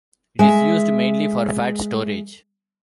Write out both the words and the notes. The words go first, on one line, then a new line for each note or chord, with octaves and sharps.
It is used mainly for fat storage.
G#3 E5